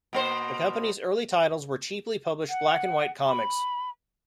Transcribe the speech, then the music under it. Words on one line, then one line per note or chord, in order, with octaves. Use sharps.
The company's early titles were cheaply published black-and-white comics.
B2 A#3 C5
F#5
B5